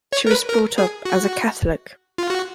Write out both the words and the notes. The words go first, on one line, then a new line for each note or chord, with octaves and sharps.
She was brought up as a Catholic.
C#5
A#4
B4
A#4
G#4
F#4
F4
F#4